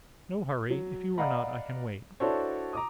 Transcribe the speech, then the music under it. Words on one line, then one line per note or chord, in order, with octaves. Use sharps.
No hurry; if you are not, I can wait.
F#3
D5 D#5 F5 F#5 A#5 B5
D4 E4 F#4 A4 C5 C#5
A#5 D6 D#6